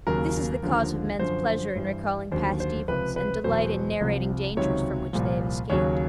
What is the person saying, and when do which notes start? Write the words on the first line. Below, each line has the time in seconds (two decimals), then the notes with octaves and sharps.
This is the cause of men's pleasure in recalling past evils, and delight in narrating dangers from which they have escaped.
0.07 D#2 C#3 F#3 A#4
0.63 D#2 D3 F3
1.19 F#2 D3 F3 C5
1.75 G2 E3
2.32 D#2 D3 F#3 C5
2.60 C5
2.88 C#2 C3 F3 B4
3.16 B4
3.44 E2 B2 F#3 C5
4.01 C2 C3 F3
4.57 C#2 C3 D#3 F#3 C#5
5.13 C2 A#2 F3
5.70 D#2 C#3 F#3 C#5